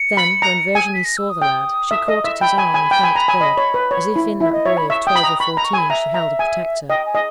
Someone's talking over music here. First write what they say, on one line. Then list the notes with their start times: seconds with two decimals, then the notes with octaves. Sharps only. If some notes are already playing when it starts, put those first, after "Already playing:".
Then, when Virginie saw the lad, she caught at his arm, and thanked God, as if in that boy of twelve or fourteen she held a protector.
Already playing: C#7
0.17 B5
0.42 A#5
0.75 G#5
0.94 B6
1.05 A#6
1.17 E6
1.30 D#6
1.42 G5
1.91 E5
2.08 D#5
2.24 E5
2.41 G5 B5
2.58 G#5
2.74 G#5
2.91 G5
3.03 G#5
3.16 A#5
3.28 G#5
3.41 D#5
3.57 C#5
3.74 B4
3.91 C#5
4.16 E4
4.40 E4 E5
4.53 D#5
4.66 C#5 E5
4.77 B5
4.90 E5 C#6
5.07 G5 D#6
5.16 B5
5.23 A#5 D#6
5.40 B5 C#6
5.53 A#5 B5
5.64 C#6
5.73 G#5
5.78 B5
5.90 E5 A#5
6.14 A#5
6.39 G#5
6.89 D#5 G5
7.06 G#5
7.15 D#5